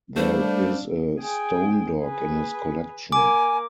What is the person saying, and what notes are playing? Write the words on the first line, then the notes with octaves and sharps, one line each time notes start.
There is a stone dog in his collection.
G3 A3 D4 C5 F5
G#4 G5
G#4 B4
A#3 G#5 D6